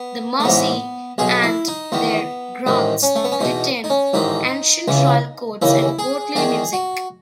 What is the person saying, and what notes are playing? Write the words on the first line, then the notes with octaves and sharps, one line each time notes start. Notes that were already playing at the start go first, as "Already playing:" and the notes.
The Mossi and their griots retain ancient royal courts and courtly music.
Already playing: B3
A3
A1 G#2 E3 B3
B1 B2 G#4
E4
D#4
E2 D#3 B3
A1 G#2 D#3
C#4
A3
B3
C#4
E2 B2 D#4
D#4
C#4
A1 G#2 D#3 D#4
C#2 C#3 E3
D#2 C#3 E3 E4
G#4
E2 D#3 G#4
F#4